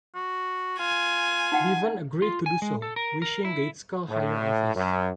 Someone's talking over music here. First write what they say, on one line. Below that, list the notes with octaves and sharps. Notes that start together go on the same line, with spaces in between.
Bevan agreed to do so, wishing Gaitskell "higher office".
F#4
F4 G#5
D#4 F#5 G5
F4
G#5
G#3
A4
A#4
A#4
E4
A2
F#2